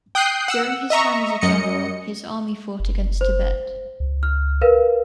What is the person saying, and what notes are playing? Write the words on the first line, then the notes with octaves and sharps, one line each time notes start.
During his time as a general, his army fought against Tibet.
G5 D#6 F#6 G6 C7
F#5 E6
D#5 E5 A#5 C#6
F#2 D#5 C#7
F#1
C5
C#2
F6
A#4 B4 F5